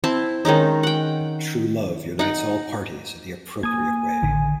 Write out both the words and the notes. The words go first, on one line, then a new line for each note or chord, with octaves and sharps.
True love unites all parties in the appropriate way!
C4 E4 A5
D#3 G#3 C#4 D#4
F#5 G5
D#4 F#5
A#3 G#5 D#6 G#6
A1 D3 D#3